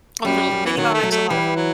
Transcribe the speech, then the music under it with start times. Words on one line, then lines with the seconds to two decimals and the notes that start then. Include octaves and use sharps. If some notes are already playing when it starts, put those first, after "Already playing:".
on their little minibikes. A lot of 'em,
0.25 F#2 G3
0.51 F#2
0.66 E3
0.77 D#3 F#3
0.94 A3
1.03 F#3
1.12 A3
1.29 E3 G3
1.56 F#3